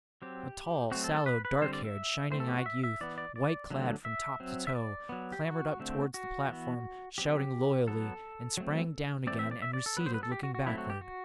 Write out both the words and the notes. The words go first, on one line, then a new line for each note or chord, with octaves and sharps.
A tall, sallow, dark-haired, shining-eyed youth, white clad from top to toe, clambered up towards the platform shouting loyally, and sprang down again and receded, looking backward.
F#3 C4 G4
F#3 A3 C4 F#4
A4
A4
B4
B4
D3 G3 C4 C5
D5
E5
E3 A3 C4 C5
A4
G4
F#4
E5
E5
E3 B3 D5
D5
D5
D3 F#3 A3
E5
F#3 C4
E5
D5
F#3 B3
G4
F#4
D3 A3 C4
F#4
E3 B3
F#3 C4 G4
F#3 B3 A4
F#3 A3 C4
E3 A3 C4 D5
E5
D5
E5
D5
A4
F#3 B3 B4
C5
B4
A4
G4
F#4
F#4
F#3 A3 C4 E4
F#4
G4
F#4